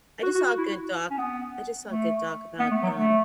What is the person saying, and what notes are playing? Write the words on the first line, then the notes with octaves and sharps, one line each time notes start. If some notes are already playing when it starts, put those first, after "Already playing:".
I just saw a good doc I just saw a good doc about, um,
F#4
F#4
F#4
E4
C#4
B3
A3
B3
A3
F#3
A3